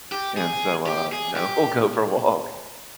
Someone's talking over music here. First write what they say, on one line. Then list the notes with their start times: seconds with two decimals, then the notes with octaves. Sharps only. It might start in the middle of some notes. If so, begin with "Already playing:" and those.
And so, uh, you know, we'll go for a walk.
0.12 G4
0.37 G#4
0.87 G4
1.12 G#4
1.36 G4